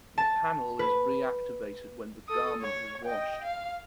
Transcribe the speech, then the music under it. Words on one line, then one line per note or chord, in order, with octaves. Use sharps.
The panel is reactivated when the garment is washed.
A5
B4
A4 D#6
C#5
D#5 G5
F5